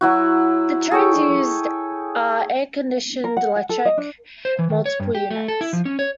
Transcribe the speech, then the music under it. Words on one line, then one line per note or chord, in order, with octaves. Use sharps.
The trains used are air-conditioned electric multiple units.
F#3 E4 F#4
G#4 A4 C#5 G5
A#4
F#5
F#5
A4
D#5
D4
C5
E3
D#3
C#5
G2
G4
A3
A4
E4
F3
C#4
C#5